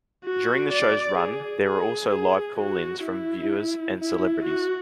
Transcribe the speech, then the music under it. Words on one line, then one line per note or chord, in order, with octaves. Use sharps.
During the show's run there were also live call-ins from viewers and celebrities.
F#4
D5
G#4
G#4
G#4
F#4
E4
E4
F#4